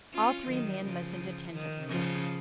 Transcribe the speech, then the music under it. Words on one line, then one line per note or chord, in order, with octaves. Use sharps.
All three men listened attentively.
C#4 F4
D#3 F#3
C#3 F3
D#3
C#3 F3